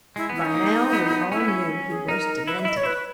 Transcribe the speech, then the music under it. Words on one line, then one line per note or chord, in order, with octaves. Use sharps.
By now we all knew he was demented.
G#3 E4
B3
E4
C#4 D#4
A#3
B3
C#4 E4
B3
C#4
G#4
D#4 A#4
E4 B4
E5
E4 D#5
C#5
E4 B4